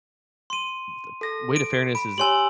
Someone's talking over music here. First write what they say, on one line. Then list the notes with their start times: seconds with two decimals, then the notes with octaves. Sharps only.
the way to fairness is
0.50 C6 D#7
1.21 A4 A#6
1.56 D7
1.95 B5 D7
2.18 G4 C#5 G#5 C6 E6 F#7